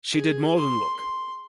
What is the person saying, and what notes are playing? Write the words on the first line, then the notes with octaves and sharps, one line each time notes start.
She did more than look.
G#4
C6
C6